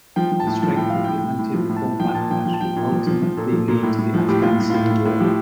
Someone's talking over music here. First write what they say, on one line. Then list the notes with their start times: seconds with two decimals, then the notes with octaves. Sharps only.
The strength of the anti-reform backlash would ultimately lead to the Afghan civil war.
0.16 F3 G5
0.32 F3
0.40 A5
0.47 A2
0.62 F3 A5
0.76 A2 G5
0.90 F3 F5
1.04 A2 G5
1.24 A2
1.39 A2
1.54 F3
1.69 A2
1.76 A5
1.84 A2
2.00 F3 G5
2.14 A#2 A5
2.30 F3 G5
2.46 F3 G5
2.54 A5
2.61 F3 G5
2.76 A#2
2.91 F3
3.07 F3
3.22 F3
3.37 A#2 A4
3.52 F3
3.68 A#2
3.83 A2
3.98 A2
4.14 F3
4.29 A2 G4
4.42 A2 F4
4.60 A2
4.70 A2 F4
4.90 A2
5.05 A2
5.20 F3 G4